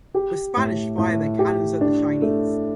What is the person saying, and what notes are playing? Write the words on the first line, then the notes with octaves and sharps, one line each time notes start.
The Spanish fire their cannons at the Chinese.
G4
A2
A2
G4
D4
A3